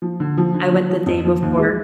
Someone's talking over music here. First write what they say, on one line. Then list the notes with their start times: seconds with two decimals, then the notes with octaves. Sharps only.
I went the day before.
0.02 F3
0.20 D3
0.37 F3
0.54 D3
0.71 F3
0.90 F3
1.06 F2
1.25 F3
1.42 D#2
1.59 G#3